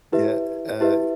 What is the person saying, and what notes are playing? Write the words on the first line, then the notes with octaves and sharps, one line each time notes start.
Yeah, uh uh
E4 G4 B4 E5
E4 G4 B4 E5